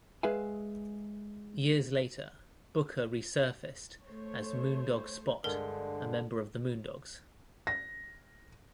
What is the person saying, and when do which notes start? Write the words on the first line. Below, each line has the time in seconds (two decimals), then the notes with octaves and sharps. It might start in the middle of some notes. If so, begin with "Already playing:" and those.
Years later, Booker resurfaced as "Moondog Spot", a member of The Moondogs.
0.23 G#3 G#4 B4 E5 F5 G#5
4.04 A3 C5 C#5
5.44 G2 D3 G#3 A#4
7.67 A#6